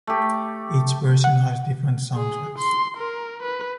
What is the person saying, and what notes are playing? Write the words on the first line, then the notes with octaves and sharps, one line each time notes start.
Each version has different soundtracks.
A3 G4
F#5
G#4
C6
A#4
B4